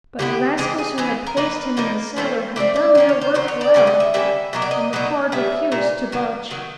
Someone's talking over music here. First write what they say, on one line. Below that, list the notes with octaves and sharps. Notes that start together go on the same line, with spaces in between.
But the rascals who had placed him in the cellar had done their work well, and the cord refused to budge.
D3 F#3 B3 E4 G4
E3 G#3 C4 G4
G#4
E3 G#3 C4
A#4
F3 A#3 D#4 B4
F3 A#3 D#4
F3 A3 C4 E4 C5
F3 A3 C4 E4 D5
D5
D#3 F#3 A#3 C#4
C#5
C5
D#3 F#3 C#4 C5
C#5
D5
D3 G3 A#3 C#4 D5
D#5
E5
D3 G3 A#3 C#4 E5
B2 F#3 A#3 D#5
D5
D#5
B2 F#3 A#3 D#4
A#2 G3 B3 E5
A#2 G3
D#3 F#3
D#3 F#3